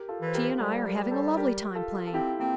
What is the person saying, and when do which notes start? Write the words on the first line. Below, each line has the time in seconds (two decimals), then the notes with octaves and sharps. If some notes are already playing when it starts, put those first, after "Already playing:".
"She and I are having a lovely time playing."
Already playing: G4 A#4
0.09 F4 A4
0.21 E3
0.26 C5
0.34 G4 A#4
0.60 G3 A4 C5
0.85 G4 A#4
1.11 A4 C5
1.37 G4 A#4
1.75 F4 A4
2.07 A4
2.14 C4 E4 G4
2.39 A#3 C4